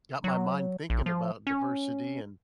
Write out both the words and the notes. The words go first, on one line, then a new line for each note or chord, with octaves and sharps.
got my mind thinking about diversity and
F#3
A#1
F3
C#4